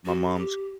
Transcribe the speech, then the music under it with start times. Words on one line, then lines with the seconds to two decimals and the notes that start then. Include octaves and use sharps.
my mom's
0.05 F#4
0.35 G4